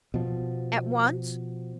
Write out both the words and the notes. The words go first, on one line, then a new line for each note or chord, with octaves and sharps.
At once!
B2 F3